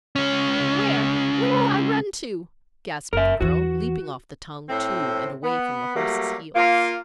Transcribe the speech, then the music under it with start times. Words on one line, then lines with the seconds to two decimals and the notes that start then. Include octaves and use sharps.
"Where, where'll I run to?" gasped the girl, leaping off the tongue, too, and away from the horses' heels.
0.16 C#2 C#4
3.13 F#1 A#4 E5
3.41 E2 E3 F#4
4.69 A2 C4
5.44 B3
5.95 F#3 G3 A3 A#3
6.55 A#3 F4